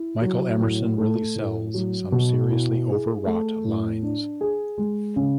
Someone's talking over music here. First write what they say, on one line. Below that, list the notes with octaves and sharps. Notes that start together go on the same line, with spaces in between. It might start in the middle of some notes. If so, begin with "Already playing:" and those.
Michael Emerson really sells some seriously overwrought lines.
Already playing: E4
F#3
A2
A3
A2
F#3
B2
E4
G#4
A3
A2
D4
G#4
G#3
C#3